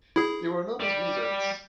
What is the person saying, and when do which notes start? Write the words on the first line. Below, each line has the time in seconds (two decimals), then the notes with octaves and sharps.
They were known as "wizards".
0.16 E4 G#4
0.80 G3